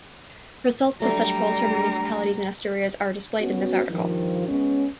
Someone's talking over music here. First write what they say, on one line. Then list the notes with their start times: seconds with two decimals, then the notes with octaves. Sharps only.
Results of such polls for municipalities in Asturias are displayed in this article.
1.00 F#3 G3 A3 D4 A#5
3.41 B3 C#4 F#4
3.90 G2 D#3 F3
4.48 G#3 B3 C#4